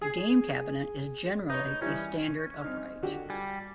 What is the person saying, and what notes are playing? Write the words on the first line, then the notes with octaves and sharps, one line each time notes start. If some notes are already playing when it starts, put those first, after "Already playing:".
The game cabinet is generally a standard upright.
G#4
D#4 B4 C#5
E3 G3 C#4 E4
C4 D#4 F6
D3 F#4 G4
G3 G#5